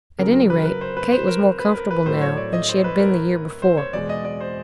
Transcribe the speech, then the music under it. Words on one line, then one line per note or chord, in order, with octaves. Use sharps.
At any rate, Kate was more comfortable now than she had been the year before.
F#2 C#3 F#3 A#4
A#4
B4
A#4
B4
C5
B4
C5
A#4
A#4
B4
A#4
B4
A2 F#3 A3 C5
C#5
D5
D#5
C5
B4
A#4
C5
C#5
E2 B2 G#3 D5
D#5
D5
C5